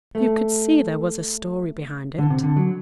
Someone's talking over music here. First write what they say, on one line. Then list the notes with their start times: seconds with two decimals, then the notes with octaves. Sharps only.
You could see there was a story behind it.
0.15 A3
2.18 D3
2.30 C3
2.43 D3
2.56 F#3